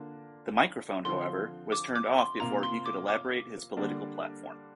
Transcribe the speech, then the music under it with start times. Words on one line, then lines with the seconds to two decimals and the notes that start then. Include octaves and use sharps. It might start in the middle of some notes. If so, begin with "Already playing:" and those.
The microphone, however, was turned off before he could elaborate his political platform.
Already playing: D3 A#3 D4 F4
1.05 D3 F3 C4 F4 C6
1.72 D6
1.96 D6
2.19 C6
2.40 C3 A#3 F4 A#5
2.63 C6
2.86 D6
3.08 D6
3.77 D3 G3 A#3 D4